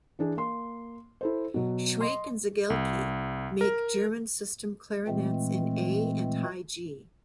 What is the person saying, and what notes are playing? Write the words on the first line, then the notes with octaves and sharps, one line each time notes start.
Schwenk and Seggelke make German system clarinets in A and high G.
E3 D4 G#4
A#3 C6
E4 A4 C5
B2 F#3
D#5 C6
C2
A#4
A#2 E3 G#3 A3 C4